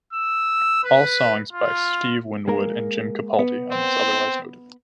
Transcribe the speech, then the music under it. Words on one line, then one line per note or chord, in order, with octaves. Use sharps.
All songs by Steve Winwood and Jim Capaldi unless otherwise noted.
E6
B4
F4
G#3 A#3 A#4
B3
C4